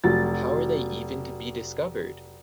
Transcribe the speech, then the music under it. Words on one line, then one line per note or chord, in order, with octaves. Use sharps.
How are they even to be discovered?
F1 F#3 A6